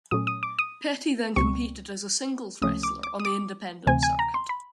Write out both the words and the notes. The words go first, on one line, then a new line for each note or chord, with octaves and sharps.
Petty then competed as a singles wrestler on the independent circuit.
A#2 F#3 A3 C#4 D#6
D#6
D6
D#6
C#2 B2 G3 C4 C#6
C#2 C3 F3 A3 C#4 D#6
D6
D6
D#6
D6
D2 C3 E3 A3 C4 G#5
G#5
A#5
C6
B5